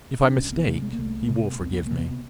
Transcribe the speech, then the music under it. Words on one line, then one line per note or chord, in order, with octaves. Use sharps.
If I mistake, he will forgive me.
D4
C2 C#4
B3
C3 A3
G#3
A#3
C2 A3
C3 B3
C2 C4
B3
A#3
C3
B3